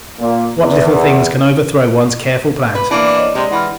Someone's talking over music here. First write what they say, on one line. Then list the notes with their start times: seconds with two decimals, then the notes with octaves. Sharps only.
What little things can overthrow one's careful plans!
0.19 A#2
0.61 E2
2.75 B4
2.91 E3 A#3 D4
3.16 C#5 D#5
3.35 C3 G#3 D5
3.51 E3 F#5 B5 F6